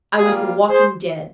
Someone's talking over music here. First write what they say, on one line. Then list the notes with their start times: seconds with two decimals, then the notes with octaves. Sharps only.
I was the walking dead.
0.16 G3 A#3 F4 G#4
0.68 G#4 C5